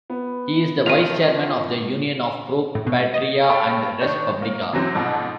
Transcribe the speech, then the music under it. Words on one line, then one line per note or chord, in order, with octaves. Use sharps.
He is the Vice-Chairman of the Union of Pro Patria and Res Publica.
B3
F2 D#3 F4 F6 D#7 F7
A2
B2
D#5
A4 C#5 F5 G5 B5
D#3 D4 C#5 C#6 G6
A#3
C3 E3 F#3 C4
F2 G#2 B2 F3